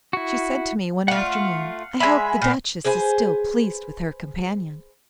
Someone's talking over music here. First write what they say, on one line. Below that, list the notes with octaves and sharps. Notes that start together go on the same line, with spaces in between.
She said to me one afternoon, 'I hope the Duchess is still pleased with her companion.
E4 F#4
A3 F4 F5 F#5
G#3 E5 G#5 B5
A#2 A#3
G#4 B4 C5 G#5